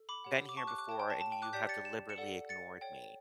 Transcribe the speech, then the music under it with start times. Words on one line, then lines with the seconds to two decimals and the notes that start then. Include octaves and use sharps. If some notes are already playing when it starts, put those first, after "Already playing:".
been here before, and you have deliberately ignored me.
Already playing: A4
0.09 B5 D6
0.24 G4 C#5 F#5
0.49 D6
0.57 A5 C#6
0.67 D6 F#6
0.78 D6 F#6
0.89 C#5 G5 A5
1.00 G5
1.10 A5
1.21 A5
1.32 G5
1.42 D6 F#6
1.53 G4 D5 G5 G6 B6
1.69 A6 C#7
1.85 E7
2.09 C#7 E7
2.18 A4 D5 F#5
2.49 A6 C#7
2.81 C#5 G5